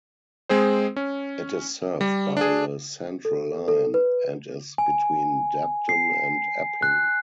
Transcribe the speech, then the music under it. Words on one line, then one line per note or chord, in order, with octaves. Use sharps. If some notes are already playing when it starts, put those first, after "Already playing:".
It is served by the Central line and is between Debden and Epping.
G#3 C4 G#4 C5
C#4
G3
D4 G#4
A4
A4
B4
G#5
C7
F#6